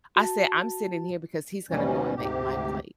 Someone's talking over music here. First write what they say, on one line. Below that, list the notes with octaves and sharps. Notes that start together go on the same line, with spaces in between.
I said, "I'm sitting here because he's gonna go and make my plate."
F#4 A5
D#2 G#2 B2 E3 G3 C#4
D2 G#2 C3 G4